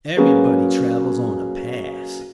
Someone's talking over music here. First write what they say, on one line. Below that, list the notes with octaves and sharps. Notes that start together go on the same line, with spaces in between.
Everybody travels on a pass.
F#3 A#3 C#4 F#4 G#4 B4